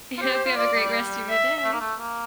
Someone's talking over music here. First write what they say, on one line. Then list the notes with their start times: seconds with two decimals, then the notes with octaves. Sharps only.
I hope you have a great rest of your day.
0.17 F4
0.21 G4 C5
0.34 G4
0.45 F4
0.57 F4 D5
0.75 G3
1.29 E5
1.64 A3
1.73 A#3
1.81 A3
2.00 A#3